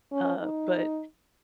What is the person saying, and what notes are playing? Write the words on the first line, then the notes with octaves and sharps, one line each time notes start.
Uh, but
C#4
D#4